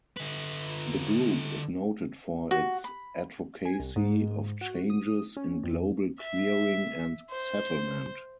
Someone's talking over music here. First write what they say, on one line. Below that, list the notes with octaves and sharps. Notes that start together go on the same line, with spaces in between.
The group is noted for its advocacy of changes in global clearing and settlement.
D3 B4
F#4
B5
G#5
C2
G#2
F#4
D#6
C#4
F2
E5
C5